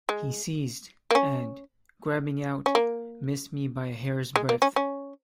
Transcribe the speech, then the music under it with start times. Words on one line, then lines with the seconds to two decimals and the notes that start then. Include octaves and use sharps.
He ceased, and, grabbing out, missed me by a hair's breadth.
0.09 G#3
1.11 A#3
1.15 C#4
2.66 C#4
2.75 A#3
4.36 G#3
4.49 A#3
4.62 C#4
4.76 C#4